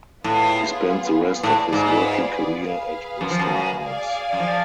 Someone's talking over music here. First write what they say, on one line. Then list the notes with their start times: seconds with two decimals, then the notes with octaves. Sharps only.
He spent the rest of his working career at Westinghouse.
0.24 A2 B3 F4 G#4 B4
1.43 A2 F4 G#4 B4 D5
1.73 G#2
2.62 G#4 B4 F5
3.21 F#2
3.30 F3
3.39 F#2
3.80 G#4 D5 F5 G#5
4.33 F#2
4.40 F3